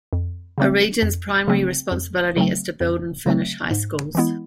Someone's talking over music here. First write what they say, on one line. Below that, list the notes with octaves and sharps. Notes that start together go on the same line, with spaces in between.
A region's primary responsibility is to build and furnish high schools.
F2
C#3 F#3 A3 C4
F2
C#3 F#3 A3 C4
F2
C#3 F#3 A3 C4
F2
C#3 F#3 A3 C4
G#2
E3 G#3 B3 E4